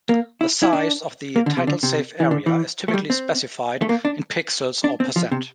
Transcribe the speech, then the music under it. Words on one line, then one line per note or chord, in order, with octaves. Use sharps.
The size of the title-safe area is typically specified in pixels or percent.
A#3
E4
E4
D4
A#3
D3
C3
D3
C3
E3
D3
E3
A3
G3
C4
A3
A#3
D4
D4
C4
F3
C3